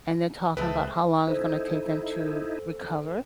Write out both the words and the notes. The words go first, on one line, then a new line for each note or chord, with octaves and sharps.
and they're talking about how long it's gonna take them to recover,
C#2 G#3 A3 C4 B4 A5
D#4 E4 A4 C5